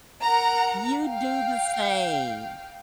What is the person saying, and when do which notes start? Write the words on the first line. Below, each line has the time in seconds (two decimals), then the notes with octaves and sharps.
You do the same.
0.20 A#4 F#5 A#5
1.01 F5 G5